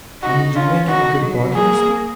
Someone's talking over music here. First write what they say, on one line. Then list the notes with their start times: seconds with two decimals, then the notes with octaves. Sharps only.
'And did you make any good bargain yourself?'
0.22 D#4 F#4
0.55 C#4 F4
0.88 D#4 F#4
1.21 F#3
1.55 A#3 G#4